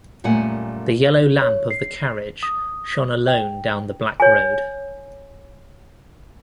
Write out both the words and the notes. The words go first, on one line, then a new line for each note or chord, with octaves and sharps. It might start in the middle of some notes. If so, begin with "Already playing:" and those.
The yellow lamp of the carriage shone alone down the black road.
F#2 A#2 G3 A3 F#5 G#5
C#5
C7
D#6
G5
C#5 G#5